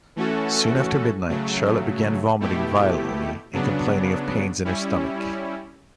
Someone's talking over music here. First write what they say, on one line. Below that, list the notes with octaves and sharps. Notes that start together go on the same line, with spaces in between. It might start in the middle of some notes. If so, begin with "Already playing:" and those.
Soon after midnight, Charlotte began vomiting violently and complaining of pains in her stomach.
E3 A3 C#4 F#4 A4
C#3 F#3 A3
B2 A3 E4 G4
C#3 F#3 B3 D4
G3 C#4 E4